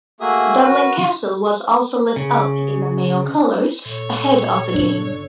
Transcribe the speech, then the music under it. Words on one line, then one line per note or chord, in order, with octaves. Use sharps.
Dublin Castle was also lit up in the Mayo colours ahead of the game.
A3 A#3 F#4 G#4 E5 D#6
F#4 A#4 B4
C#3
A#2 A4 C#5
G1 C#3 D4